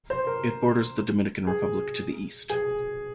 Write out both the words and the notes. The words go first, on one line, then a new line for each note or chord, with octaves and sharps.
It borders the Dominican Republic to the east.
C5
A#4
G#4
G#4